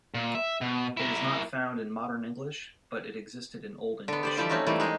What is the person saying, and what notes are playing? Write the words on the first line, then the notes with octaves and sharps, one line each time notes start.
It is not found in Modern English but it existed in Old English.
A#2
E5
B2
E4 A#4
D3 B3
G4 C5 D5
E3 F3 G3 G4 E5 A5
A3 C4 C#4 D#4 F#4
E3 G3 A3 A#3
G#3 C4 D#4 G#4